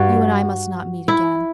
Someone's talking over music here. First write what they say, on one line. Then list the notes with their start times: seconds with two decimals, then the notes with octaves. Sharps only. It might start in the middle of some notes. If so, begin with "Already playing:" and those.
You and I must not meet again.
Already playing: G2 F#4
1.08 E4